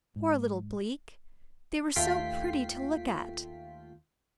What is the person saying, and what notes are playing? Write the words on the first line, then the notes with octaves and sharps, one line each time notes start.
Poor little bleak! they were so pretty to look at.
G#2
D#2 A3 F4 G5 B6 C7